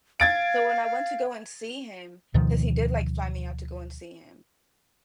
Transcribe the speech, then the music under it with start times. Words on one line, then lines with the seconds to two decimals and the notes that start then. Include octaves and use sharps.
So when I went to go and see him, 'cause he did, like, fly me out to go and see him.
0.20 F5 G#6 A6 D7
2.34 D2 B2 D#3 F3